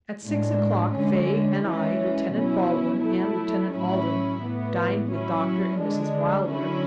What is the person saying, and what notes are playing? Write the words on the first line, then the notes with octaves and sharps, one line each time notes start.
At six o'clock Faye and I, Lieutenant Baldwin, and Lieutenant Alden dined with Doctor and Mrs. Wilder.
A2 G#3 D4
D3 G#3 C#4
E3 G#3 C#4
B2 F#3 C#4 E4
F#3 A3 E4
A2 F#3 C#4 E4
A2 E3 B3
F#3 C#4 E4
D3 G#3 D4
D3 F#3 C#4 E4